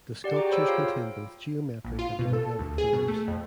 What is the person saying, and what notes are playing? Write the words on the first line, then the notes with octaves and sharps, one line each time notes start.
The sculptures contain both geometric and organic forms.
G4 D5 F#5
F#4 G#4 G5 A#5 D6
C5 C#5 B5 E6
F4 F5 D7
A#1
F4
B2
A4
D2
G#4
B2
A3
F2